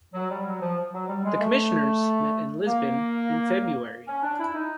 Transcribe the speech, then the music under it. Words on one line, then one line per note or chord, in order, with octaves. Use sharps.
The Commissioners met in Lisbon in February.
F#3
G3
F#3
F3
F#3
G3
G#3
A3
A#3
C#4
D4
E4
D#4